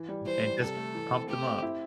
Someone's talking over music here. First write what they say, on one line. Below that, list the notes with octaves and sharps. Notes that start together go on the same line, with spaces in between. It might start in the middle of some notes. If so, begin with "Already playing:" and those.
and just pumped them up.
Already playing: E3
G3
E3 C5
G3
C3 A4
A3
E3
C4
A3 G4
C4
E4